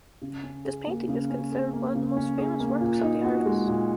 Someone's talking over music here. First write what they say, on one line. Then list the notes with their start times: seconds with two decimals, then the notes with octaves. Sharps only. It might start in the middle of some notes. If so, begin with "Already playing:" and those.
This painting is considered one of the most famous works of the artist.
0.22 C#3
0.43 C#4
0.65 G#4
0.87 A#3
1.08 C#3
1.30 C#4
1.52 G#4
1.73 A#3
1.95 C#3
2.17 C#4
2.38 G#4
2.60 A#3
2.81 A#2
3.03 D#4
3.24 F#4
3.46 G#3
3.67 A#2